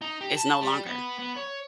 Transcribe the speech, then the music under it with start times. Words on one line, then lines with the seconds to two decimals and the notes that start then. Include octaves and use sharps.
is no longer.
0.02 D#4
0.21 G4
0.37 A5
0.61 G3
0.86 B3
1.19 B3
1.37 C#5